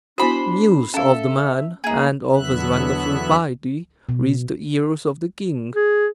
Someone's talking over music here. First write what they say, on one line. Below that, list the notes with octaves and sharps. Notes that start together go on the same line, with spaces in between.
News of the man and of his wonderful piety reached the ears of the king.
B3 D4 E4 F#4 C5 B5
C#4 A4 E5 F5
A#3 D#4 G#4
E2 D3 F#3 B3 E5 F#6
B2
G#4